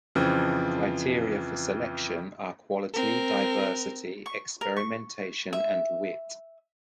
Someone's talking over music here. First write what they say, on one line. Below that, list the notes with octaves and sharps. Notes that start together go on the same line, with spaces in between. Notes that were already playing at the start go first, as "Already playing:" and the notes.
The criteria for selection are quality, diversity, experimentation and wit.
F2 C#3 E3 F3
C4 A#4
C#6
A#4
C#6
E5